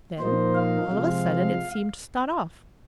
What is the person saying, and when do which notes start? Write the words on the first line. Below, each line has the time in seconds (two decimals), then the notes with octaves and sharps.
Then, all of a sudden, it seemed to start off.
0.19 A#2 F3 A#3 D#4 C5
0.55 F5
0.91 C3 F3 G#3